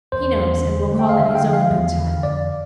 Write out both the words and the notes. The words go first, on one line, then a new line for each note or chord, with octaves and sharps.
He knows and will call in His own good time.
E2 C5
E2
D3
A3
G5
F5
D3 E5
F5
G5
F3
F5
E2
D3
F2 D5